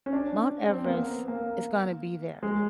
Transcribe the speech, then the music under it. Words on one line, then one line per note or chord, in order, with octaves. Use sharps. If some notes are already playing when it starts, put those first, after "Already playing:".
Mount Everest is gonna be there
C#4
D4
C4
A#3
B3
A#3
G#3